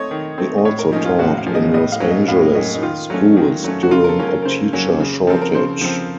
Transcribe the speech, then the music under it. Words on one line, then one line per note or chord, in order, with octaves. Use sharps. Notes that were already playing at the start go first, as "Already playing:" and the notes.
He also taught in Los Angeles schools during a teacher shortage.
Already playing: A3 C4 C#5 D#5
D#3
A3 C4
D#5
A2 C#5
A#4
F3 A#3 C#4 D#4
F4
A2 F#4
F5
F3 A#3 C#4
D#5
A2 D#5
F5
F#3 A#3 C#4
D#5
A2 F5
F#3 A#3 C#4 D#5
D#4
D#3 F4
F#3 A3 C#4
D#3
F#3 A3 C#4
F#4
C#3 F4
A#4
A4
F#3 A#3 C#4
A#4
A#4
C#3 C5
F#3 A#3 C#4
C#3
F3 C4 A4
A#4
C#3 C5
F3 C4